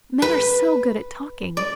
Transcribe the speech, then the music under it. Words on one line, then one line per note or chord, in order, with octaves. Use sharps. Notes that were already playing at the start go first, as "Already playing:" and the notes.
Men are so good at talking!
B4
D5